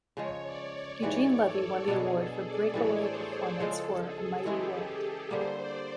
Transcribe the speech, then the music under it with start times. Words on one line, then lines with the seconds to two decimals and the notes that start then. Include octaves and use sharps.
Eugene Levy won the award for Breakaway Performance for "A Mighty Wind".
0.16 C#3 F3 G#3 C#5
0.45 D5
0.74 C#5
1.02 G#2 E3 G3 C#5
1.45 A4
1.88 B2 F#3 B3 D4 G#4
2.16 A4
2.45 D5
2.74 A2 E3 G3 C#5
3.02 C5
3.30 C#5
3.60 C#3 F3 G#3 A4
4.02 G#4
4.45 E3 G#3 C#4 E4 G4
5.31 D3 G3 A#3 C5
5.60 D5